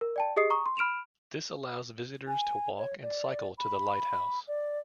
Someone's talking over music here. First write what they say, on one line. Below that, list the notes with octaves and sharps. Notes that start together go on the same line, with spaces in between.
This allows visitors to walk and cycle to the lighthouse.
A#4
D5 G5 A5
G4 G#4 D#5 D#6 C7
A#5 C#6 D#6
C6
B5 F6 D7 E7 F7
G#5
C#5
D5
B5
D5